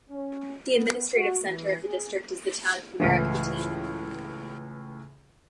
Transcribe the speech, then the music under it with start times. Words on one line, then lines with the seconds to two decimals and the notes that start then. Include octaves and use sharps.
The administrative centre of the district is the town of Merak Batin.
0.10 C#4
0.72 B3
1.13 F#4
1.46 E3
1.82 G#4
3.00 C#2 A2 E3